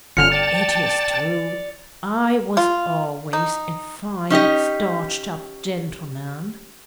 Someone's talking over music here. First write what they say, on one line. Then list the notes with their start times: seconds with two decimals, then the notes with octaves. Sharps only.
It is true, I was always a fine starched-up gentleman!
0.17 G1 D3 C#4 F4 F6 C#7 F7
0.32 D5 G5 A5 A6
2.57 F4
3.33 D#4
4.30 C#4 D#4 G4 D#5